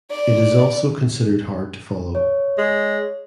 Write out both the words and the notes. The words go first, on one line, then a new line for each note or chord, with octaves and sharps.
It is also considered hard to follow.
D5
C#5
G#3